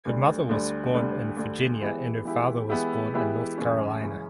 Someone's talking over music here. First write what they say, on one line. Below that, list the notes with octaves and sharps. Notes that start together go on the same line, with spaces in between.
Her mother was born in Virginia and her father was born in North Carolina.
D2 D3 G3
D2 D3 G3
D2 D3 G3
D2 D3 G3
E3 G#3 B3 E4 G4
E3 G#3 B3 E4 G4
E3 G#3 B3 E4 G4
E3 G#3 B3 E4 G4
F#2 C#3 E3 G#3 C#4
F#2 C#3 E3 G#3 C#4